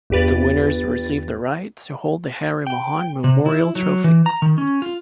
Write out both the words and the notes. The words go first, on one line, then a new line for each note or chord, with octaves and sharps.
The winners receive the right to hold the Harry Mahon memorial trophy.
G1 E2 G4 B4 A6
G5
C3
E4
F#3
E3
A#5
D#3
C#4
F4